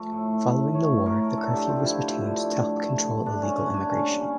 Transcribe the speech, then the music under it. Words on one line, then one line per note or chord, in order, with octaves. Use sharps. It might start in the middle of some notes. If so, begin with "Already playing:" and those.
Following the war, the curfew was retained to help control illegal immigration.
Already playing: F3 A3 A#4
A2
A2
A2
A2 C#5
A2
A#4
A3
D3 A4
A3 G4
F4
F3 E4
A3
D3
A3
D3
A3
D3
D3 D4
D3 C#4
C#4
D3
D4
A#3 C#4
G3
C#4